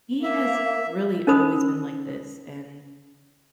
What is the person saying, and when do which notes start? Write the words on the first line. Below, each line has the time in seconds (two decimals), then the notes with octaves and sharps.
He has really always been like this, and
0.23 A#3 E5
1.27 C#4 D#4 A#4 C5 B5 D#6